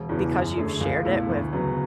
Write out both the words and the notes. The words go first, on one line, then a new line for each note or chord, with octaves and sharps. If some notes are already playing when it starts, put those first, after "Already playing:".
because you've shared it with
Already playing: E1
E2 C#3 E3
F#2
D3 A3 C#4 G#4
C#2
B2 A3 E4 A4
D2
C#3 F#3 B3